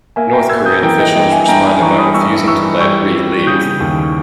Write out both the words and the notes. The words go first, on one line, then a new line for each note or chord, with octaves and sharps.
North Korean officials responded by refusing to let Ri leave.
A#3 E5 G#5
G5 A#5
A#3 E6 G#6
D#6 G6
E3 G5 A#5
D#5 G5
G2 D#5 G5
E5 G#5
G2 G5 A#5
G#5 B5
E3 A#5 C#6
B5 D#6
G2 C#6 E6
E3 C#6 E6
G3 C#6 E6
G3
C#3 D#6 G6
D#2